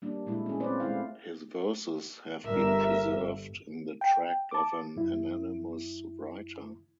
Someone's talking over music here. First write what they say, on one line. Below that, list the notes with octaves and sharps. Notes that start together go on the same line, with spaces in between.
His verses have been preserved in the tract of an anonymous writer.
G3 A#3 D4
A#2 F#3 G#3 A3 E4
C#4 G#4
C4 F4 B4 C5 D5
G#3 A3 E4 F5
G1 A#4 E5
G5
A5 D6
F#2 E4